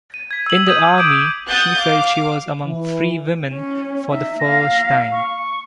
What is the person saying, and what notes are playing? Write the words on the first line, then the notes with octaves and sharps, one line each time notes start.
In the army, she felt she was among free women for the first time.
D#7
G#6 B6
E6 F#7
D#6 G6 G#6 D#7
D6 E6 G6 G#6 D7 F#7
F#5 D#6 F#6 G6 A6
F5 D6
E3
C#4
D#4 E5
A#3 F5 A#6
C#6